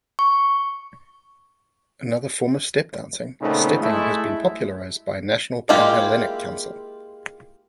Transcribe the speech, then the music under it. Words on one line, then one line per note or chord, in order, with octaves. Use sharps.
Another form of step dancing, Stepping, has been popularized by National Pan-Hellenic Council.
C#6
A#2 C#3 A3 B3 C4 D#4
G#3 A3 E4
G#3 A#3 E4 F4 G4